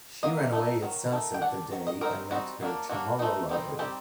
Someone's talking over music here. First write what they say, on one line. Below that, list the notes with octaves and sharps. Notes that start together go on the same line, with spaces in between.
She ran away at sunset that day and met her Chamorro lover.
F#3 A#3 D#5
A3 D#4
D#3 F#3
D#3 A3 D#4
G5
G3 D4 F#5
D#3 F#3
D#5
F#3 C4 D#4 A#4
G3 C4 D#4 F#4
F#3 A#3 D4
F#3 A#3 D4 F#4
A3 D#4
D#3 G3 C4 D#4
G3 C4 D#4 G4